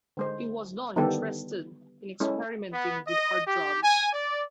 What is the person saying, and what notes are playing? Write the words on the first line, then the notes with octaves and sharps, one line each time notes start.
He was not interested in experimenting with hard drugs.
D3 G#3 C5
D3 D#3 G3 B3 G4 A4
G#3 C#4 E4 A4
B3
D#5
G4
G#5
D5